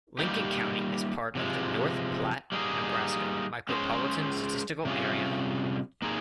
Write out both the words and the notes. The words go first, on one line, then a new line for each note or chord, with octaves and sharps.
Lincoln County is part of the North Platte, Nebraska Micropolitan Statistical Area.
G3 A#3 D#4 G4
C3 F3 G#3
G3 A#3 D#4 G#4
G#3 C#4 G#4 C5
C3 G3 C#4 F4 G#4
A#3 D#4 G#4